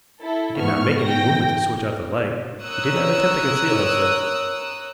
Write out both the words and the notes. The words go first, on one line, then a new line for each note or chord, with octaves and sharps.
He did not make any movement to switch off the light, he did not attempt to conceal himself.
E4 A4
G#2 B3 C#6 F6
E3 G5 A#6
A#4 C#5 D#6 E6 F#6